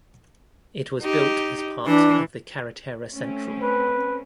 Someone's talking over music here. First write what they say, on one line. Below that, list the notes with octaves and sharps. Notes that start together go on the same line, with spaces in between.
It was built as part of the Carretera Central.
D#4 G4
E3 D4
A3 C4 C#4
B4